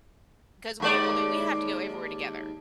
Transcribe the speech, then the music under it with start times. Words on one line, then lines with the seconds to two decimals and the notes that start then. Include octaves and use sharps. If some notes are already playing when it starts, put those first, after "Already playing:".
'cause we're I mean, we have to go everywhere together,
0.80 D#2 G#3 D5